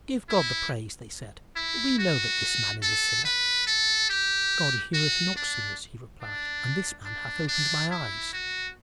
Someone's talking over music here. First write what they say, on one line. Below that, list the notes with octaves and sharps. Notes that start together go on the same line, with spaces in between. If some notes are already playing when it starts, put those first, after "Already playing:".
"Give God the praise," they said; "we know that this man is a sinner." "God heareth not sinners," he replied; "and this man hath opened my eyes."
E4
E4
F#4
A4
B4
A4
G4
F#4
D4
D4
D4
D4
E4
F#4